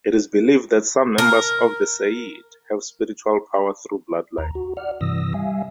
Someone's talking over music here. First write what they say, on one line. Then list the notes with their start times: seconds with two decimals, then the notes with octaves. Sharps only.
It is believed that some members of the "sayyid" have spiritual power through bloodline.
1.18 A#4
4.38 D#2 A#5
4.55 F#4
4.77 D5 F#5 F6
5.01 G2 C3 E3 D#6 E6 A#6
5.34 G3 E5 F5 G#5